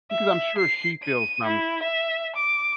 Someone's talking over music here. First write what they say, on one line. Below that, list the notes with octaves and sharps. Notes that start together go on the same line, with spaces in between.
Because I'm sure she feels some
E5
C7
D#7
E4
E5
D6